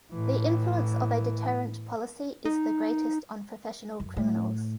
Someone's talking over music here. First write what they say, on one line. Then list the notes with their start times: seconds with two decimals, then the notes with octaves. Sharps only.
The influence of a deterrent policy is the greatest on professional criminals.
0.13 A2 E3
2.45 D#4
4.00 F#2
4.17 A2